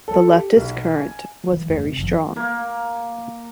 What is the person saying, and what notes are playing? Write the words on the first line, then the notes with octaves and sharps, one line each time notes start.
The leftist current was very strong.
A4
G4
B1
G#5
E3 F#3
E2 G2 A3
C3
F#1 F#2 D#3 F3
A#3